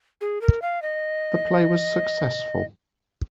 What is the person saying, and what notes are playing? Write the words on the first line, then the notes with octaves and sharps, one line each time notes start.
The play was successful.
G#4
A#4
F5
D#5